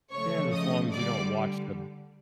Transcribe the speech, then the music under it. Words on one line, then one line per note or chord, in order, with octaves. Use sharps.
Yeah, and as long as you don't watch the
C#3 F3 A3 C#5 C#6
D#5 D#6
D3 G3 D5 D6